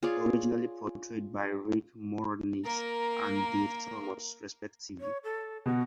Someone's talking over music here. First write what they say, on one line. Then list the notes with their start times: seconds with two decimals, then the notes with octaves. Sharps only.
Originally portrayed by Rick Moranis and Dave Thomas, respectively.
0.03 F4 G#4 C#5 D5
2.64 A#3 A#4
5.00 C#5
5.24 A4
5.66 B2 F#4